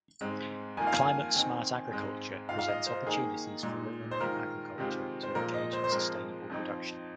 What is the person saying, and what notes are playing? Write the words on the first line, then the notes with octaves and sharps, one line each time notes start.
Climate Smart Agriculture presents opportunities for women in agriculture to engage in sustainable production.
G#2 G#3 C4
F2 D#3 A#3 F4 G#5
F5
G#5
D#3 C4 D#4
G#2 G#3 C4
G#2 G#3 F4 F5
F5
D#5
C5
D#3 A#3 D#4 G#4
A#2 G#3 D#4
C5
D#3 G#3 F4 A#4
C3 D#3 G#3 C4 F4
C5
A#2 F3 G#3 F4 A#4
D#5
C5
C5
F2 F3 G#3 C4 A#4
F2 F3 C4 D#4